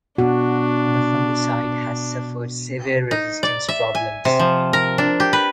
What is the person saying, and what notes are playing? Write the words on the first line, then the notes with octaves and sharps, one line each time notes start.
The fungicide has suffered severe resistance problems.
B2 D4 F#4
D#4
D5
E5
G#5
C3
F3
A#4
D4
G4
B4